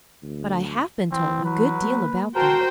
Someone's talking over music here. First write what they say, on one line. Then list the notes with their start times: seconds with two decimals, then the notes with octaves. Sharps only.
"But I have been told a good deal about them."
0.23 D2
1.12 E3 C4
1.45 F#3 B4
1.83 A#3
2.36 E1 F#4 A#4 C5 G5 A5